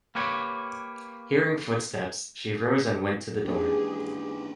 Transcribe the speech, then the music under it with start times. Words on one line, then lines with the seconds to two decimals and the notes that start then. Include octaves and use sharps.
Hearing footsteps, she rose and went to the door.
0.15 A#3 G4 B4 C#5
3.45 G#2 E3 A#3 C#4 D4 G4 G#4